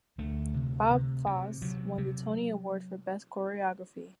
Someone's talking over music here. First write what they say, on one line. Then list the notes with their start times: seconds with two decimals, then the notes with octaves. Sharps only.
Bob Fosse won the Tony Award for Best Choreography.
0.18 D2 A3
0.54 C3
0.91 C3
1.26 C3
1.62 C3 F#3
1.98 C3